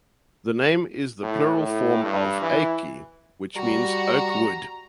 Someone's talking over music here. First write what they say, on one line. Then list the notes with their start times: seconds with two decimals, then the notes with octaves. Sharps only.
The name is the plural form of "eiki" which means "oak wood".
1.23 A2
1.57 A2
2.04 G2
2.42 E3
3.56 G3 F#4 A#5